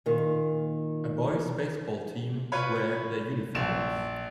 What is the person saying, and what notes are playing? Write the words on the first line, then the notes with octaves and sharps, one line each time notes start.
A boys baseball team wear their uniforms.
A#2 D#3
F4 B4 C#5 B5
A#1 E7